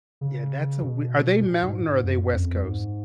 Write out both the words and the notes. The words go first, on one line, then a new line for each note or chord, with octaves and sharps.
Yeah. That's a we are they mountain or are they West Coast?
C#3
B2
A#2
G#2
G#2
F#2
F2
G#2